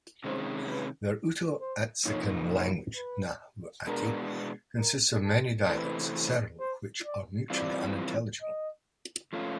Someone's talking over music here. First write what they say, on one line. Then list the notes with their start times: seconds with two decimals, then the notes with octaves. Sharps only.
Their Uto-Aztecan language, Nahuatl, consists of many dialects, several of which are mutually unintelligible.
0.24 C3 D#3 G#3 C#4 C5
0.69 B4
1.61 C5
2.05 C3 F3 A#3 D#4 C#5
2.51 C5
2.96 B4
3.87 B2 G#3 B3 D4 A#4
4.78 A#4
5.23 A4
5.69 C3 E3 A3 C4 B4
6.59 C5
7.05 D5
7.50 E3 G3 C4 F4 D5
8.42 D#5
9.33 F3 A3 C#4 F4